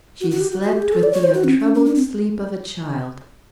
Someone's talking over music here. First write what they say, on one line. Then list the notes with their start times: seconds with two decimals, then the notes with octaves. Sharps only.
She slept with the untroubled sleep of a child.
0.21 F#4
0.31 F#4
0.41 G4
0.52 F#4
0.62 F#4
0.72 G4
0.82 G#4
0.92 A4
1.03 D5
1.13 C#5
1.23 C5
1.34 F#4
1.44 C4
1.60 C#4
1.75 C#4
1.85 D4
1.95 C4